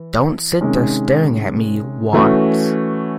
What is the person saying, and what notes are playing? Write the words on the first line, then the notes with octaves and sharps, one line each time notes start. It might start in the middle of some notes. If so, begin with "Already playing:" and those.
Don't sit there staring at me, Watts.
Already playing: E3
C3 D#3 G#3 C#4
E3 A3 C#4 F#4